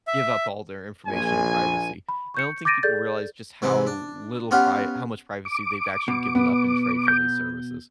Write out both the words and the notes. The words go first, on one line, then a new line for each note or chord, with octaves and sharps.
give up all their information and privacy. I don't think people realize just how little pri how much privacy they've actually given up in trade for these services.
E5
A#1 G#5
B5
C#6 G6 C#7
D6 G6 A6 A#6 D7 D#7
G#4 A4 D5 G6 A6
G#2 C3 E3 C4
D4
B3 C#4 F4 G4 F5 F#5
D6
B2
B3
G6